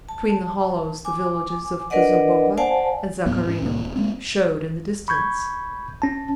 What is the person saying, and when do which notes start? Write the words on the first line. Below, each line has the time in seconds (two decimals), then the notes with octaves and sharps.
Between the hollows the villages of Bezubova and Zakharino showed in the distance.
0.09 A5
1.05 G#5 D6
1.90 D4 A#4 B4 D5 D#5 F#5
2.58 C5 D5 F5 F#5 G#5 A5
3.26 D#2 A2 F#3 B3
3.46 G#2 C4 C#4
3.62 C2 A2 A#3
3.84 E1
3.96 G#3 A#3 C4
5.08 B5 C#6 G6 G#6
6.02 C#4 A5